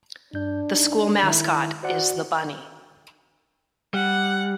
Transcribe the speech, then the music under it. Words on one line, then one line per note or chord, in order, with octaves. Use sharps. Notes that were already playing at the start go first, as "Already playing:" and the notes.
The school mascot is the Bunny.
G2 D4 G6
D#4
D#3 E4
F#4 C5 D5 F#5
G3 F#5